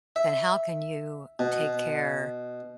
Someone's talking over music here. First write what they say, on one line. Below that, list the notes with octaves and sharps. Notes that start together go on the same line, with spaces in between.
then how can you take care
E5
B2